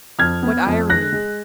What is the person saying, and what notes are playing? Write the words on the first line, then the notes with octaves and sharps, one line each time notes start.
What irony!
F2 F6 G#6
B3
F2
G#3 F#6 A#6
G#3